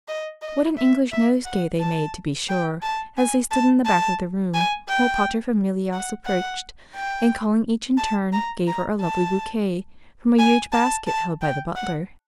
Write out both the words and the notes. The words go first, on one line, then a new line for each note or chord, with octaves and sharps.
What an English nosegay they made, to be sure, as they stood in the back of the room while paterfamilias approached, and calling each in turn, gave her a lovely bouquet from a huge basket held by the butler.
D#5
D#5
E5
E5
F#5
A5
G5
A5
G#5
A5
A5
G#5
G5
F#5
F#5
G5
A5
A#5
A#5
A5
G#5
A5
A5
G5
F#5